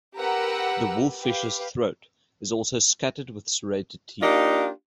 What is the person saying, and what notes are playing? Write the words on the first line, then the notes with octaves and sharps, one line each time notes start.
The wolffish's throat is also scattered with serrated teeth.
G4 A#4 B4 F#5 A#5 E6
G4 B4 F5
A#3 D4 D#4 F4 G4